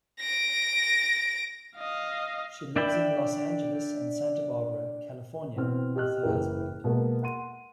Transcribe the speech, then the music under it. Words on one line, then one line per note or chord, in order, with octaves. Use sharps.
She lives in Los Angeles and Santa Barbara, California with her husband.
A#6 D7
D#5 F5
D4 D5 E5 G5 B5
B2 E3 C4 F6
G4 D#5 F6 F#6
F#1 E3 E4 G#4 A#4 G5
B2 G#3 A#3 A#4 A5
F#5 C6 D#7